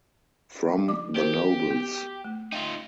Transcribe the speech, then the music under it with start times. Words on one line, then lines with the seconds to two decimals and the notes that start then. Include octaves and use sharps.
From the nobles.
0.88 F3 D6
1.16 F#4 G4 A#4 C5
1.71 B3
2.24 A3
2.52 D#4 F4 G5